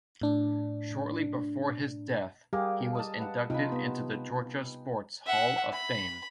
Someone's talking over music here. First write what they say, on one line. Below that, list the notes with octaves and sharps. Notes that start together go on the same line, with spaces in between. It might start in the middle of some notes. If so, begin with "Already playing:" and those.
Shortly before his death, he was inducted into the Georgia Sports Hall of fame.
A2 D4
G3 A#3 G4 G#4 F5
D#5 A5
B4 F#5
C3 D#4 F4 G5 G#5 B5
B3
E5 F#5
B5